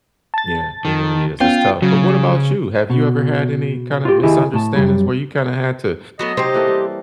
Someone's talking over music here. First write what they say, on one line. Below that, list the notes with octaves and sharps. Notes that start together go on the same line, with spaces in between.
Yeah, it really is. It's tough. But what about you? Have you ever had any kind of misunderstandings where you kinda had to
A5 A6
D#3
B3 C#4 F4 G5
C#3 F#3
B2
F4 G4
D#3 E4 G4 G#4
A2 A5
F#2 A#2 G3
F#3 A3 B3 F#4 D#5
C3 C4 D#4 G4 C5 C#5
E3 A#3 A4
G3